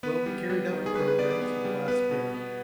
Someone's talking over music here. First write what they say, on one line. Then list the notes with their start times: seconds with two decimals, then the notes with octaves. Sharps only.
Well, he carried out the programme to the last breath.
0.03 B3 B4
0.26 G3
0.50 G3
0.72 D#3
0.86 G#4
0.95 G3 B4
1.07 B4
1.19 B3 D5
1.30 D5
1.42 B3
1.65 G3
1.88 B3 B4
2.11 B2
2.34 B3